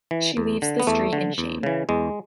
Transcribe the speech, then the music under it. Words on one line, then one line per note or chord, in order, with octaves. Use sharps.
She leaves the Street in shame.
E3
E2
D3
B3
E2 A3
D3
E2
C#3 E3
E2 G#3